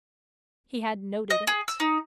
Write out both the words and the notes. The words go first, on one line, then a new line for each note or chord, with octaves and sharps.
He had noted it.
D#5
G#4
E6
D#4